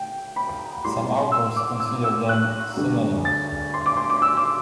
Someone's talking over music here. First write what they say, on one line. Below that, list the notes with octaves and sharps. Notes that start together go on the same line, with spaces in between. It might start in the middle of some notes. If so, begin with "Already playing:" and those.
Some authors consider them synonymous.
Already playing: G5
B5
A2 G3 C6
E6
D6
E6
E6
F#6
G2 D3 G3
A6
C6
D6
C6
D6
E6
D6